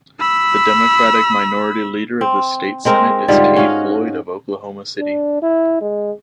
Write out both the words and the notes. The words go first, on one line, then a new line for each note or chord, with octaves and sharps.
The Democratic minority leader of the state senate is Kay Floyd of Oklahoma City.
B5 E6
C4
G#3 C4 A#4
G#2 D3 G3 F4
C#4 F#4 D#5 F5
D4
E4
G#3